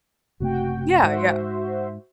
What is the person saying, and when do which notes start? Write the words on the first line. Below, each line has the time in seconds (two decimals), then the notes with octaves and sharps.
Yeah, yeah.
0.40 F#1 C3 A3 F#4 G5
1.03 G#2 F#4 C5 E5